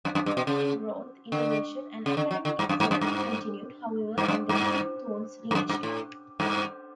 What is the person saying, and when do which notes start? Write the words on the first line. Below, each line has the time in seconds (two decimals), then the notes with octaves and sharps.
Growth, innovation, and academic excellence continued, however, under Gene Thorn's leadership.
0.05 F#2
0.15 F#2
0.26 G2
0.37 B2
0.47 C#3
1.32 D3
2.06 C#3
2.17 D3
2.31 F#3
2.45 D3
2.59 G2
2.69 F#2
2.80 G2
2.91 F#2
3.01 G2
4.18 G2
4.28 F#2
4.49 G2
5.51 G2
5.55 F#2
5.69 G2
5.83 A2
6.40 G2